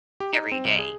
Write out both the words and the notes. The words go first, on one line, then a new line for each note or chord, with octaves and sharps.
every day,
G4
D#4
C4
C2
G#4